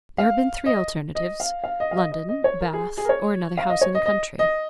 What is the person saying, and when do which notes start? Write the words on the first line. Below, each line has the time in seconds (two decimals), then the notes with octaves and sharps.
There had been three alternatives, London, Bath, or another house in the country.
0.18 F5
0.66 D#5
1.15 D#5
1.40 F5
1.64 F5
1.80 D#5
1.91 F5
1.97 D#5
2.12 D#5
2.29 D#5
2.44 C#5
2.61 A#4
2.73 G#4
2.98 G#4
3.05 A#4
3.09 C#5
3.58 F5
3.70 D#5
3.81 C#5
3.95 D#5
4.06 D#5
4.39 D#5